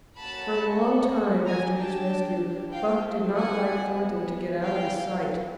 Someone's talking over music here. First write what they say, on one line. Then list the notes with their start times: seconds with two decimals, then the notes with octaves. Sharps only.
For a long time after his rescue, Buck did not like Thornton to get out of his sight.
0.18 A#3 C#4 F#4 A4 A5 B5
1.46 D4 G4 G#5 A#5
1.78 G5 A5
2.72 A3 C4 E4 F5 G5
3.36 F#5 G#5
4.00 B3 E4 G#4
4.63 F5 G5